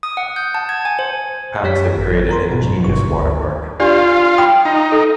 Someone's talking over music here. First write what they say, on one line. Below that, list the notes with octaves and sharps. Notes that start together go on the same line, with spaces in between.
Paxton created an ingenious water park.
D#6
F#5
G6
A5
G#6
G#5
C5
F#2 G4 C#5 B6
G#1
A#4 A#5 C6
G#2 B2
G1 G2 C#6
D2
D4 F4 G4 D5
G5 B5 D#6
D#4
A4